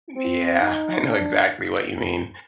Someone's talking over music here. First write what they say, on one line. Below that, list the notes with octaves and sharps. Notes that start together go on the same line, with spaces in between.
Yeah, I know exactly what you mean.
C4
D#4
D4